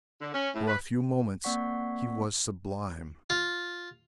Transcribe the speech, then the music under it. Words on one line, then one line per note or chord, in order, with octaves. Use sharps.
For a few moments he was sublime.
D3
C#4
A2
B4
A#3 C4 D5 F#5 C#6 B6
F4